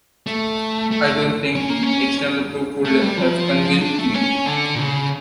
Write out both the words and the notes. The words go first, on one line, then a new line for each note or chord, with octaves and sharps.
I don't think external proof would have convinced me.
A3
A3
C#4
A#3
C#4
A3
G3
F3
D4
A3
C#4
D3
A#2
C#3